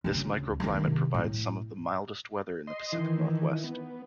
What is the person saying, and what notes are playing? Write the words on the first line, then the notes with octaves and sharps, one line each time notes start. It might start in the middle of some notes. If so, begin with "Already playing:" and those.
This micro-climate provides some of the mildest weather in the Pacific Northwest.
D2 C#3
D#3 A#3
C3
A2
D#5 C6
D#3 E3
B3